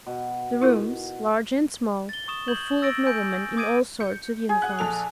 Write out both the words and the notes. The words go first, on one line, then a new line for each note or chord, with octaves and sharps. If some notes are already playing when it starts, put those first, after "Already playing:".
The rooms, large and small, were full of noblemen in all sorts of uniforms.
B2
E4 F4 A#4
A6 G7
C#6 D#6 E7
G6 G#6 F#7
E6 A6 A#6 D7
G#5 G6 D7
D6 D#6 G#6 D7 D#7
G6 C#7
G#4
F#5 F#6
A#1 A4 F7